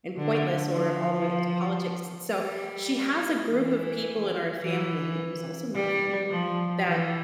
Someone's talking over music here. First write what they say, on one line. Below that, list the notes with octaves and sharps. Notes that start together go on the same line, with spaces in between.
and pointless, or all the way up to politics, and so, she has a group of people in our family- who is also my family- that
D3
F3
G3
E3
E3
G3
F3
E3